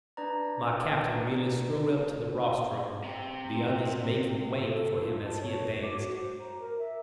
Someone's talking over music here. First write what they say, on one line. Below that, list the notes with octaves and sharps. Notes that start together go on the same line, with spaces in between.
My captor merely strode up to the rostrum, the others making way for him as he advanced.
D4 B4 D5 A#5
C3
A4
F4
A5
C#5
D6
F#4
C5
A#5
A#4
E5